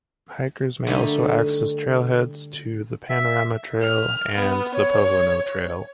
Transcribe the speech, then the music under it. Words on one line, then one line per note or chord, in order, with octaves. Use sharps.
Hikers may also access trailheads to the Panorama trail and the Pohono trail.
D3 G3 A3 D4 D#4
E5
F6
B3
C#5